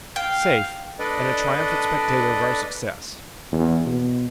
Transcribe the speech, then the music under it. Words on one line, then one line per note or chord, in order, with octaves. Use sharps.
'Safe, and a triumphant spectator of our success.'
F5 G5
D4 A4 B4 D5 D#5
E2
B2